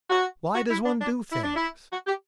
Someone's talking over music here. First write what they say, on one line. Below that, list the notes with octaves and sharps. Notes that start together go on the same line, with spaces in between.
Why does one do things?
F#4
F#4
E4
D4
D4
E4
D4
E4
F#4
G4